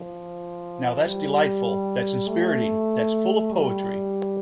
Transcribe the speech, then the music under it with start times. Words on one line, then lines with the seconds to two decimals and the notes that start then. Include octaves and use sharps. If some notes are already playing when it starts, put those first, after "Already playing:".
Now that's delightful, that's inspiriting, that's full of poetry!
Already playing: F3
1.04 G3
2.28 A3
3.52 G3